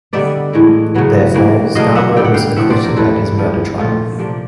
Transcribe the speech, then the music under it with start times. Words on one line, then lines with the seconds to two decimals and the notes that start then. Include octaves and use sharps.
Therefore, Scarborough was acquitted at his murder trial.
0.13 D3 G3 B3 D#4 D5 E5
0.53 A2 E3 G#3
0.94 C#3 F#3 B3
1.34 G2 E3 G3 A#3
1.75 C#3 F#3 A3 D4 D#5 F5
1.95 E5 F#5
2.16 D3 G3 B3 G5
2.25 F#5
2.34 F5 G5
2.56 A2 F3 A3 C4 E5 F#5
2.70 C5 D5
2.83 A#4 C5
2.96 A2 E3 G3 A4 B4
3.38 F3 G#3 B3 D4
3.78 A#2 F3 A3 F4
4.19 C3 F3 A#3 D4